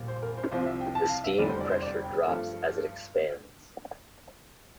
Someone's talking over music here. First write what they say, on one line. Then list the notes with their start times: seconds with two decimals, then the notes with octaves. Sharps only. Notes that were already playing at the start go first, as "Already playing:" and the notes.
The steam pressure drops as it expands.
Already playing: A#1 A#2 G3 A#3
0.08 C5
0.23 A#4
0.37 C5
0.51 C2 C3 F3 C5
0.66 E5
0.81 G5
0.95 A5
1.09 F5
1.24 E5
1.38 F1 E2 D3 G3 D5
1.49 C5
1.60 D5
1.71 C5
1.82 D5
2.04 G5
2.26 G2 F3 A3